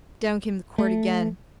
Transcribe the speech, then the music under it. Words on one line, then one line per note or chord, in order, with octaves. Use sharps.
Down came the quirt again.
A3